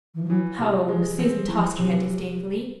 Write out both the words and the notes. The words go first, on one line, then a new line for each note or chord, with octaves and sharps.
"Ho!" Susan tossed her head disdainfully.
E3
F3
E3 F#3
C3
F3 G#3
F3
E3 C4
E3 F3
F3
C3 F#3